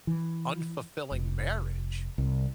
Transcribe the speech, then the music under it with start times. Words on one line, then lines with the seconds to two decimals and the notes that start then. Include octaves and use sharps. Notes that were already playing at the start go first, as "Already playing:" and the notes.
unfulfilling marriage
0.07 E3
1.12 F1
2.18 C2